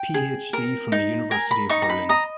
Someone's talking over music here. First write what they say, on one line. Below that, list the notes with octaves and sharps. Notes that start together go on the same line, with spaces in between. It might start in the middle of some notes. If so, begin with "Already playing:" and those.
Ph.D. from the University of Berlin.
Already playing: G5
G#4
A#4
D#4
A#4 G#5
B5
D#4 C#6
A#5
B5
D#5 A#5